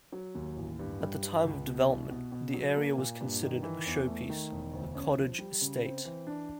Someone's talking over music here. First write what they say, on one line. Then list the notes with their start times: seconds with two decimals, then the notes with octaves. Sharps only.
At the time of development, the area was considered 'a showpiece, a cottage estate'.
0.12 F#3
0.35 D#2
0.57 A1
0.79 G2
1.01 G3
1.23 G2
1.44 C#2
1.67 B2
1.89 C2
2.11 B2
2.32 B2
2.54 F#3
2.77 A#3
2.98 A#2
3.20 G2
3.42 D#3
3.63 E3
3.86 E2
4.07 A3
4.30 D#3
4.52 E1
4.73 D2
4.95 C#4
5.17 F3
5.38 G3
5.61 C#3
5.83 C4
6.05 E3
6.27 D4